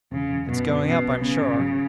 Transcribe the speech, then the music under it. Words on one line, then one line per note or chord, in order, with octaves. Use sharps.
"It's going up; I'm sure."
E1 C#3
E1
F#2 B2
F#2
B2 C#4
B1
C#3 B3
G#1
F#3